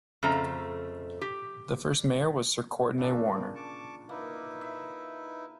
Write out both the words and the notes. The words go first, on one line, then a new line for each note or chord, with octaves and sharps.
The first mayor was Sir Courtenay Warner.
F2 C#3 A3 A#5
G4
A#2 C#3 D4 E5
B3 C4
A5 C#6 D6
A#3 D#4 E4 B4
E5